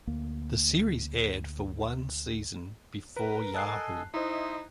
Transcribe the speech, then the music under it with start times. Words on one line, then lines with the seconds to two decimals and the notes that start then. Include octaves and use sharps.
The series aired for one season before Yahoo!
0.07 D2 A#3
3.16 A#4 B4
3.54 A4 D#5 G#5 A5 F#6 C7
4.14 D#4 E4 C5 D#5 E5 C6